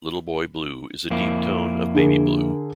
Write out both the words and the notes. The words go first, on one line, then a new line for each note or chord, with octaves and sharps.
Little boy blue is a deep tone of baby blue.
F2 A#3 E4
D3 G#4 A#4